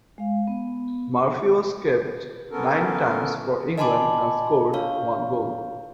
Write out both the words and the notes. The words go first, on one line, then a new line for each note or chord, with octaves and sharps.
Murphy was capped nine times for England and scored one goal.
G#3 F5
B3
B3 C#4 A4 A#4
D#5 G#5 A5 B5 C6 D6
D4 C#5 F5